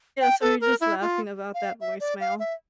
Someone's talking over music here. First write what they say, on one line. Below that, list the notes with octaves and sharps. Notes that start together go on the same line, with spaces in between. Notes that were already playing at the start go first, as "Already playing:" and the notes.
Yeah, so we're just laughing about that voicemail.
G5
A4
A#4
E4
F4
F5
E5
D5
F5
E5